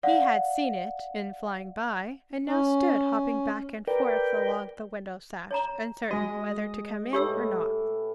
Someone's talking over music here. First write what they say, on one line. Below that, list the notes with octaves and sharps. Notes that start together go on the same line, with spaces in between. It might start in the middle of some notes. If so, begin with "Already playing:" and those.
He had seen it in flying by, and now stood hopping back and forth along the window sash, uncertain whether to come in or not.
D5 F5 F#5
C#4
A#4 B4 D5 G5
C#5 A5 A#5
G#3 F#4 D#5
A2 E3 G4 C#5 E6